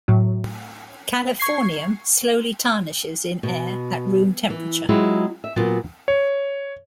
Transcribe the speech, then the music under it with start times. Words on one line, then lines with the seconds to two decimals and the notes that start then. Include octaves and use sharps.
Californium slowly tarnishes in air at room temperature.
0.08 A2 F#3
1.40 C#6 G#6 C7
3.43 B2
4.50 E3
4.89 F#3 G#3 C4 E4 F4
5.44 E5
5.56 A#2 F#3 B3 F4
6.08 C#5